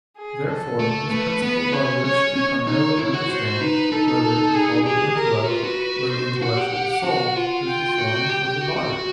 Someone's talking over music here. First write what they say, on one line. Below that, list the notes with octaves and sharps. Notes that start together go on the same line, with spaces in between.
Therefore this principle by which we primarily understand, whether it be called the intellect or the intellectual soul, is the form of the body.
G#4
A4
A3
A3 B4
B3
C#4 C#5
C#4 C#5
C#4 C#5
D#4
E4
F#4
F#4 C5
D#4 B4
D#4 A4
D#4
A4
G#4
G4 G#4
A#4
F#4
F4 B4
F#4
C5
F#4 F#5
G4
F#4
F4
G5
F#4
G4
G4
F#4
F#4
F#4